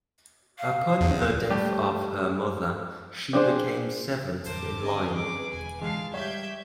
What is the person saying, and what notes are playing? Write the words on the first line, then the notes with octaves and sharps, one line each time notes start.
Upon the death of her mother she became seventh in line.
F5
E2
G3 A3 G4
C4 D4 G#4 C5
A1 F2 D3 A#4 C5 A5 D6
D3 C4 C#4 D#5 G#5
G#4 B4 D6
E1 G#5
G#2 D3 E3 G#3 F5 A5 C7
G3 G4 C#5 E5 G6 G#6 B6